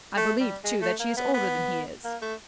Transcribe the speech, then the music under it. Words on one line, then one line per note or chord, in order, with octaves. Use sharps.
I believe, too, that she is older than he is.
A3
G3
G#3
A3
A#3
B3
B3
A#3
A3